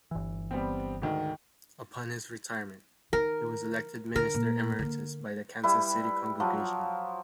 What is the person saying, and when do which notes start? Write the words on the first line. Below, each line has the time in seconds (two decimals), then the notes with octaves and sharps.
Upon his retirement, he was elected Minister Emeritus by the Kansas City congregation.
0.11 G1 E3
0.51 G3 B3 C4
1.02 D2 G#2 D#3
3.13 D#3 A#4
4.16 D3 A#4
4.34 A#2
4.79 D3 A#3
5.63 G3 E4 B4
6.40 F3 F#3